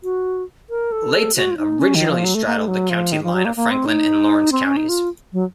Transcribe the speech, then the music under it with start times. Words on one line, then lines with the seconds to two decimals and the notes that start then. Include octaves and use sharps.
Leighton originally straddled the county line of Franklin and Lawrence Counties.
0.03 F#4
0.70 A#4
0.92 A4
1.36 F#4
1.51 F4
1.57 D#4
1.80 C#4
1.95 D#3
2.09 F3
2.24 F#3
2.35 A3
2.46 A#3
2.57 A3
2.68 F#3
2.90 F3
3.12 D#3
3.24 F3
3.34 F#3
3.45 A#3
3.56 A#3
3.71 C4
3.86 D#4
4.52 C4
4.65 C#4
4.77 D#4
4.89 F4
5.33 F#3